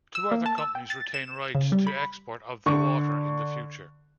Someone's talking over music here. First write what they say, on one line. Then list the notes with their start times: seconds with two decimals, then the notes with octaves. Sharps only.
Two other companies retain rights to export of the water in the future.
0.15 E6
0.31 A#3
0.46 A5
0.58 E6
0.75 G5
0.90 A6
1.14 E7
1.55 C#3
1.72 G3
1.87 B5
2.66 D3 C#6